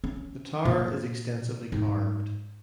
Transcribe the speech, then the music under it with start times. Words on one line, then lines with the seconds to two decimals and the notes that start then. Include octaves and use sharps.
The tower is extensively carved.
0.04 C#4
0.65 A#2
1.72 G#2